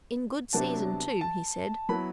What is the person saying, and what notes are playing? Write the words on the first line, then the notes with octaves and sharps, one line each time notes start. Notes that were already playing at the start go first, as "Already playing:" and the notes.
"In good season, too," he said.
C3 F#3 B3 D4 A5
A5
F#3 B3 E4 B5